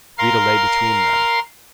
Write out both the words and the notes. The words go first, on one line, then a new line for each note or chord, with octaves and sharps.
Rita lay between them.
A#4 F5 C6